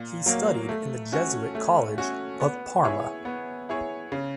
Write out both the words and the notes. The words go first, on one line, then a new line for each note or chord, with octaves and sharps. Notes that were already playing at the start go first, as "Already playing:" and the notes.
He studied in the Jesuit college of Parma.
Already playing: A#2
F#3 A#3
A3
C#4 F#4
A3
C#4 F#4
B3
E4 G#4 C#5
B3
E4 G#4 C#5
C#3